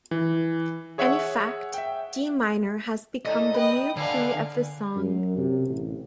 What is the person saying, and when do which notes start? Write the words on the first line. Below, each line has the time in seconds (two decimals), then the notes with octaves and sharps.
In effect, D minor has become the new key of the song.
0.11 E3
0.98 G#4 C#5 E5 F#5
1.74 E5 G5
3.25 D3 E3 A3 D#4 D#5
3.54 B4 G5 D#6
3.97 D3 D4 B4 F5 G#5
4.96 F#2
5.37 C3
5.68 A1